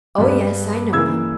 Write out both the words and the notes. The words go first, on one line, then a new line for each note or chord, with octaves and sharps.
"Oh, yes, I know them."
G2 G3 B3
C#3 E3 A#3 E6 G#6